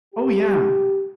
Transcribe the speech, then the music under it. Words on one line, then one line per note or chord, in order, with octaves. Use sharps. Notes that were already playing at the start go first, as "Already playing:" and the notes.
Oh, yeah,
G4